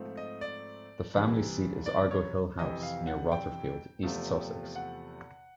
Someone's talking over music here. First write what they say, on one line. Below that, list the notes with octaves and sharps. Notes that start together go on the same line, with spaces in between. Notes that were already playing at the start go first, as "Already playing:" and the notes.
The family seat is Argo Hill House, near Rotherfield, East Sussex.
Already playing: G#2 F3 A3 C4
D#5
D5
C2 C3 E3
D5
C#5
F2 C3 E3 D#5
F5
F#5
G5
E2 C3 F3 A3
F#5